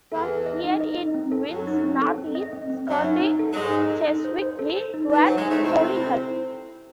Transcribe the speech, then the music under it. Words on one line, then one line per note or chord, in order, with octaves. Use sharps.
From here it winds north east, skirting Cheswick Green, towards Solihull.
E2 E3 A4
A4
D#5
D#4
D#5
D#4
C4
A4
F#2 F#3 A4
D#4
C4
A4
C4
D#5
C4
C4
F#2 F#3 E5
D#4
D#4
A4
F#3
G#2 G#3 A4
D#4
A4
D#4
C5
C5
A4
C5
D#4
E3 D#4
F#3 C5
G#3
A3 D#4
C3 C4 E4
A4
E4